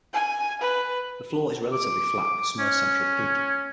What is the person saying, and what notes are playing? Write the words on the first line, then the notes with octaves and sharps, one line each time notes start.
The floor is relatively flat, with a small central peak.
G#5
B4
D6
C#4